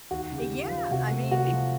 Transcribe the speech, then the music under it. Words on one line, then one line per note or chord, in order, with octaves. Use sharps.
Eh yeah. I mean,
D#2 F#4
C#3
G4
C#3
F4
F3
C3 F#4
A3
C3 F#4
F3